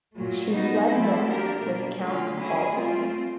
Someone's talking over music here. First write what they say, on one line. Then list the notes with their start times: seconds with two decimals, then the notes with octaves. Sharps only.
She fled north with Count Baldwin.
0.14 A#2 F#3 A3
0.51 G3 B3 D#4 F#4
0.89 F3 A3 C4 E4 A4
1.26 F#3 A#3 D4 G4 A#4
1.63 B2 G3 A#3 D4
2.00 D3 F#3 A3 C#4 F4
2.37 F#3 A#3 C#4 E4 G#4
2.75 A3 C4 F4